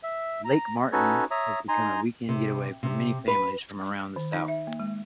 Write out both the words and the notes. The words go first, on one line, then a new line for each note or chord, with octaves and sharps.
Lake Martin has become a weekend getaway for many families from around the South.
E5
A#5
C#4 D#4 F#4 A4 B4 C#5
C#5 E5 A#5 D#6
D#4 G#5 A#5 C6
C3
C3
B4
D#3
D#4
E5
A#3
G#3